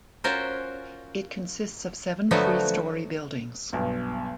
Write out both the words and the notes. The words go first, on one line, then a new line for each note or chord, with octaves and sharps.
It consists of seven three-story buildings.
C#4 F4 F#4 A#4 C5
D3 F3 F#3 A3 B3 F#4
B1 G2